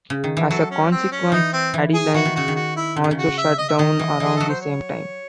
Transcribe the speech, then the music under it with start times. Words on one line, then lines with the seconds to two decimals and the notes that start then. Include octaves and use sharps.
As a consequence, Adeline also shut down around the same time.
0.10 C#3
0.24 D#3
0.37 E3
0.50 F#3 A4
0.71 C#4
0.91 C4
1.12 C#4
1.32 E3 D#4
1.53 C4
1.74 E3
1.94 G#4
2.14 E3 F#4
2.25 D#3
2.36 C#3 F#4
2.48 D#3
2.56 F#4
2.76 E4
2.96 C#3
3.04 D#3
3.11 C#3
3.18 F#4
3.37 E5
3.58 D#5
3.68 E5
3.78 D#3 D#5
3.99 E3
4.20 E3 G#4
4.36 F#3 A4
4.49 C5
4.61 C#5